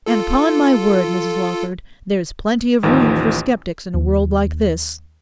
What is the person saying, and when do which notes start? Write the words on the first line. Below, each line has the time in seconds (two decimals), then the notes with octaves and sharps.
And 'pon my word, Mrs Lawford, there's plenty of room for sceptics in a world like this.'
0.06 F4 A4
2.83 A1 D#2 D#3 F3
3.94 D#2